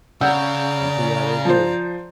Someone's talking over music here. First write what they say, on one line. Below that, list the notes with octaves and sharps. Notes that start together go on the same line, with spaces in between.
Yeah, they do.
C#3 D5 F#5 A#5 E6 G6
F3 C5